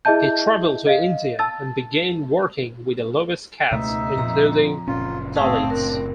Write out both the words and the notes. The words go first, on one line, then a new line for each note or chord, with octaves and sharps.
He traveled to India and began working with the lowest castes, including Dalits.
E4 G#4 D#5 E5 A5 G6
D#5 F5
A5 E6 A6
C#2 B2 A3 D#4 E5
F2 A#2 A#5
F#1 A#2 C#4 F4
A2 C4 G#4 C#5 E5 F5 A5
D4 A#4